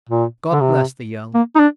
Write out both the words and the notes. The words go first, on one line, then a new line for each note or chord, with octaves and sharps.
God bless the young!
A#2
D3
C3
A#3
D#4
D4